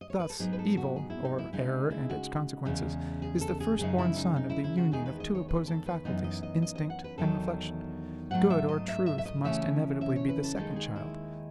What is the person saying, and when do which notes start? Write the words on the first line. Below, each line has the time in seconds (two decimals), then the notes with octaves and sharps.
Thus, evil--or error and its consequences--is the firstborn son of the union of two opposing faculties, instinct and reflection; good, or truth, must inevitably be the second child.
0.01 D#5
0.10 C#5
0.20 B4
0.30 A4
0.39 G#2 F#3 B3 D#4 G#4
0.53 B4
0.59 A4
0.77 F#4
0.96 G#4
1.10 E4
1.25 D#4
1.38 E4
1.53 C#3 G#3 D#4 E4
1.90 E4
2.10 F#4
2.65 E2 C#3 G#3
3.22 G#4
3.41 A4
3.60 G#4
3.79 F#2 C#3 G#3 D#4 G#4
3.98 E4
4.16 D#4
4.36 D#4
4.50 E4
4.64 E4
4.78 F#4
4.92 E2 D#3 G#3 D#4 G#4
5.06 B4
5.20 D#5
5.35 C#5
5.49 B4
5.68 A4
5.87 B4
6.05 F#2 E3 B3 D#4 D#5
6.24 D#5
6.43 D#5
6.62 D#5
6.75 D#5
6.90 F#5
7.04 B4
7.18 E2 D#3 F#3 A4
8.31 G#2 F#3 A3 F#5
8.50 E5
8.69 D#5
8.88 E5
9.06 E5
9.18 E5
9.25 D#5
9.44 C#3 E3 A3 C#4 E5
10.01 E5
10.16 C#5
10.29 B4
10.44 A4
10.57 D#2 D#3 G#3 D#4 A4
10.76 G#4
10.96 E4